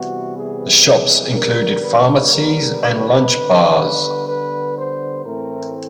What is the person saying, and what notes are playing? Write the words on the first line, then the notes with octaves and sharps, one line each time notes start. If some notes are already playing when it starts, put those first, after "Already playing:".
The shops included pharmacies, and lunch bars.
Already playing: C3 E3 G3 B3 F#4
G#4
G#4
D3 G3 B3 A#4
B4
A#4
B4
D3 G3 B3
B4
C5
A2 E3 A3 C4 A#4